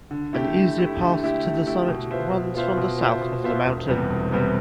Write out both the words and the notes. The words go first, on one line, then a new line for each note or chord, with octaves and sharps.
An easier path to the summit runs from the south of the mountain.
D3
A3 E4 G4
D3
A3 E4 G4
D3
A3 E4 G4
D3
A3 E4 G4
B2
B3 F4 C5 E5
B2
B3 F4 C5 E5
B2
B3 F4 C5 E5
B2
B3 F4 C5 E5
E1
E2 C3 G3 B3
E1
E2 C3 G3 B3